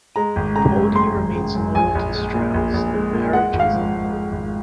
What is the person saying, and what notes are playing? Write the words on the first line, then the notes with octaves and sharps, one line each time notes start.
Poldi remains loyal to Strauss and the marriage is a long one.
G#3 A#5
G#1
C#3 A#5
F#2
G#3 C6
G#1
C#3
F#2
A#1 G#5
A#1
G#3
A#2
A#1
A#1
G#3
A#2
G#3 F#5
G#1
F5
F3
G#2
G#3
G#1